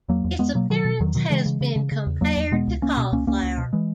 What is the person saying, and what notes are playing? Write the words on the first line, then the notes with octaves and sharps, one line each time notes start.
Its appearance has been compared to cauliflower.
E2 F#3 A#3
E2
E2 G#3 B3
B2 F#3 A#3
B2 D#3 F#3
B2
E2 D#3 F#3
B2 D#3 F#3
C#3 E3 G#3
C#3
C#3
C#3
C#3
E2
E2 F#3 A#3
E2
B2 G#3 B3
C#2
C#2 A#3 C#4
B2
C#2 A#3 C#4
C#2 A#3 C#4
C#2
B2
E3 G#3